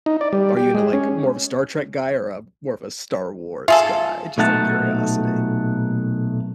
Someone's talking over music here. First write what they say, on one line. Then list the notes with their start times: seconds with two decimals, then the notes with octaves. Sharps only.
Uh, are you into, like, more of a Star Trek guy or a more of a Star Wars guy? Just out of curiosity.
0.06 D#4
0.21 D5
0.33 G3
0.57 G4
0.75 G#3
0.93 C#4
3.68 F4 G#4 A4 E5
4.38 B1 A#2 A3 D#4 F#5 A5